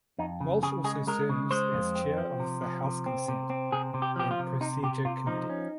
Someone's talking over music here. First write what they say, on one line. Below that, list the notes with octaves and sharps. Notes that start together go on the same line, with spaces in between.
Walsh also serves as chair of the House Consent and Procedure Committee.
F2 D#4
C#3
C#3 G#4
G#3 G#4
G#3 A#4
C#3
G#3 C5
F2
C4
F3
C3
F3
C3
C4
C3
C4
C3 G#4
C3
G4
F3 G4
F4
C3
C3 D#4
C3 G4
C3 F4
F3 D#4
C#4